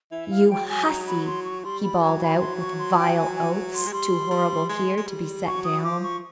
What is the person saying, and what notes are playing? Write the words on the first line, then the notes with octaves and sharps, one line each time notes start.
"You hussy!" he bawled out with vile oaths, too horrible here to be set down.
E3 E5
F5
F#3 G5
G#5
A#5
B5
C6
C#6
G3 C6
B5
F#3 A#5
B5
C6
C#6
C6
G5
G#5
G#5
C6
G#3
G3 C6
G3
G#3
G#3
G3
F#3 C#6
D#6
F3 D6
C#6